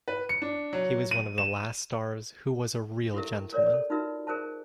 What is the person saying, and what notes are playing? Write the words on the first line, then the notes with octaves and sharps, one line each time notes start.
He was one of the last stars who was a real gentleman.
B4
C#7
D4
F#3
D#7
E7
E4 G4 A4 A#4 E5
A#4 C#5 D5 E5
A4
D#4 F4 F#4 A#4 B4 E5
G#4 A#4 C5 E5 A5